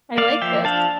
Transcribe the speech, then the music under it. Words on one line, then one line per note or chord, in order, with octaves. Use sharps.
I like this.
A#3 D5 F5
F3 E5 G5
D4 F5 A5